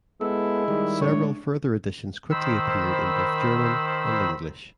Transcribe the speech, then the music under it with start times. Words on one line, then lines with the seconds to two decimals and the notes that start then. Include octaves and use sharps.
Several further editions quickly appeared in both German and English.
0.21 G#3 B3 E4 A4
0.68 D#3 G3
1.01 A2 G#3 D4 C#5
2.31 D#3 C5 B5 E6